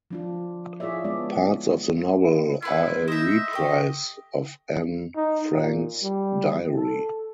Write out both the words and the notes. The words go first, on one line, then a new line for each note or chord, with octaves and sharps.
Parts of the novel are a reprise of Anne Frank's Diary.
F3 D4 F4
E4 F4 G#4 C#5 D5 E5
G#3 B3 D4 F4 D5
E4 B4 C6
C5 D#5 E5
A3 G4
D#4
A#2
G3
A4